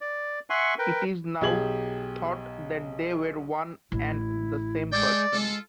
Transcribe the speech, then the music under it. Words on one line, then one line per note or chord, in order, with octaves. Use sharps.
It is now thought that they were one and the same person.
D5
E5 F#5 G#5 C6 C#6
A#4 B4 G5
B1 G4 G#4 G#6 F#7
A1 E4
G#3 G#4 A4 D5 G5
G#3 F4 A4